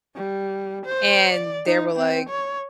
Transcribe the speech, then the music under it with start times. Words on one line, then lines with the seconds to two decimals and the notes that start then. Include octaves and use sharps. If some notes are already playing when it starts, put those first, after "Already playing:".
and they were, like,
0.15 G3
0.86 C5
1.31 D5
1.66 D#4
1.95 C4
2.29 C#5